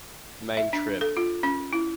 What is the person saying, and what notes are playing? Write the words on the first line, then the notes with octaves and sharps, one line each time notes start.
The main Trib.
E5
D4
A4
F4
C#4
E4